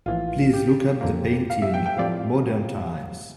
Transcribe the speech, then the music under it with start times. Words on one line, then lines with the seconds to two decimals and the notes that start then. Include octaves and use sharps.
Please look up the painting, Modern times.
0.06 A#1 A2 E3 F4
0.53 G4
1.01 F2 D3 F3 A#3
1.50 F5
1.62 E5
1.74 G5
1.86 G5
1.97 A2 F3 C4 G4 D5 F5